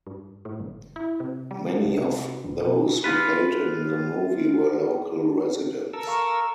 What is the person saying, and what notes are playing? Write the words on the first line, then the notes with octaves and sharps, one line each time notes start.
Many of those who played in the movie were local residents.
G2
A2
G1
E4
C3
G3
C#2
C3
F1
B2
F4 B4
A4 A#4 E6
F5 A#5 C#6